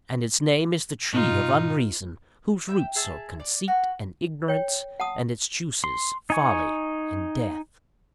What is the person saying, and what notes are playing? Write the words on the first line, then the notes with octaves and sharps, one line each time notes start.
And its name is the Tree of Unreason, whose roots are conceit and ignorance, and its juices folly and death.
G#2 B2 D#4 F4
E5 G5
G#4 E5 A5
D5
F#4
C#5 G5
F#5 A5 D#6
C6
D#4 G#5 C#6